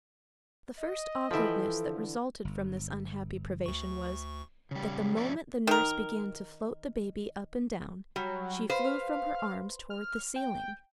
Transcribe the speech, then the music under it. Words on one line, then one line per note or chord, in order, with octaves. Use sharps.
The first awkwardness that resulted from this unhappy privation was, that the moment the nurse began to float the baby up and down, she flew from her arms towards the ceiling.
D#5
E3 F3 A4 E5 G5 B5
D3
G1
D2 C#6
C#3 G3
F3 A3 A#3 C#4 D5 E5
D#3 A#4
F#3 G3
B4 C5 F5
F6
G5